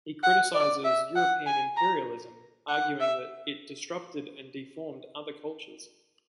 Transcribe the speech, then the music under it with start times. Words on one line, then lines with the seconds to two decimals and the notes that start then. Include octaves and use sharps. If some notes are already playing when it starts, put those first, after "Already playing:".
He criticizes European imperialism, arguing that it disrupted and deformed other cultures.
0.23 F#5
0.54 D5
0.84 E5
1.16 F#5
1.47 G#5
1.77 A#5
2.69 F#5
3.00 E5